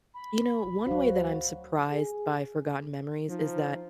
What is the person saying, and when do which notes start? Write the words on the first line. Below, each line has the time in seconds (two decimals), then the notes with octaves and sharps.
you know, one way that I'm surprised by forgotten memories is that,
0.14 B5
0.64 E1
0.87 D2 F#3 F#4 C5 F5
1.91 G#4
3.28 F3 D#4